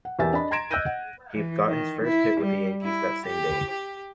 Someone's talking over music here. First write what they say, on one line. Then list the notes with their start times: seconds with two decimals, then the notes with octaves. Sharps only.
He got his first hit with the Yankees that same day.
0.05 F#5
0.19 E2 G4 A#4 E5 G#5 A6
0.33 D4 D#5 B5
0.51 A#5 C6 G#6 A#6 D7 E7
0.71 D#5 E6 F#6 G6 A#6 D#7
0.86 F#5
1.33 E3
1.67 D#3
2.05 E4
2.41 G3
2.82 E4
3.25 G4
3.70 G4